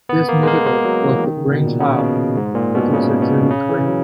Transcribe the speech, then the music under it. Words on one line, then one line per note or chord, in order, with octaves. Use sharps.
This musical was the brainchild of producer Judy Craymer.
B3
A#3
G#3
A#3
A#3
F#3
E3
D#3
C#3
B2
A#2
C#3
B2
G#2
A#2
B2
C#3
B2
C#3
E3
F#3